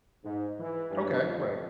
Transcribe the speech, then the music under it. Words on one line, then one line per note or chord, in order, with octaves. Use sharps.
Okay, right.
G#2
E3
G2
F2